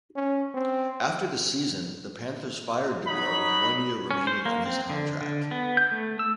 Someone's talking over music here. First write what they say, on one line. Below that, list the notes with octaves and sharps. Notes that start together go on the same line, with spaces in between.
After the season, the Panthers fired DeBoer with one year remaining on his contract.
C#4
C4
F#3 D#4 B5
C#4
C5
A#3
C4
D3
D3
B3
G6
A3
E6